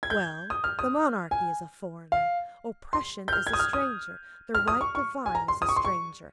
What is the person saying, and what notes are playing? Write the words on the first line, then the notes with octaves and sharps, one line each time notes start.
Well, the monarchy is a foreigner; oppression is a stranger; the right divine is a stranger.
G#6
G6
D#6
F6
D#6
G#5
F5
C6
G6
F6
G#6
D#6
F6
D#6
F6
D#6
C#6
C#6
G#5
A#5
C6
D#6
C#6
C6
C#6